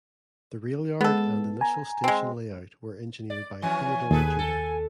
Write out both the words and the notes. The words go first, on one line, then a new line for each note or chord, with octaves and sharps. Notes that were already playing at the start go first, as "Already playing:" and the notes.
The rail yard and initial station layout were engineered by Theodore Judah.
G#3 B3 A4
G#5 A#5
G#3 C4
D5
E3 F3 C#4 G#5
D#2 G#4 A4 B4
A4